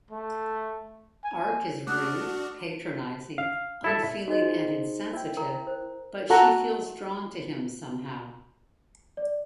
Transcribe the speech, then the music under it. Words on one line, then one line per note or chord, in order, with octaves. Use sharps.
Arc is rude, patronizing, unfeeling and insensitive but she feels drawn to him somehow.
A3
G#5
A3 D4 F#4 D6 D#6 F6 F#6
F5
E4 A4 E5
D#4 F#4 G#4 C5 D#5
E4 G5
A#4 A#5
C5
F#4 A4 F#5 A#5
D5